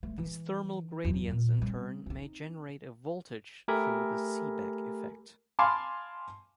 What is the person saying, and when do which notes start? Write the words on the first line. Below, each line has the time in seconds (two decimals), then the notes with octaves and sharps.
These thermal gradients in turn may generate a voltage through the Seebeck effect.
0.03 A3
0.18 E3
1.04 E2 F#3
1.31 A#2
1.58 G3 C4
2.06 C4 D#4
3.68 A3 G4 A4 A#4 G#5 B5
5.59 F5 G#5 A5 B5 C6 D6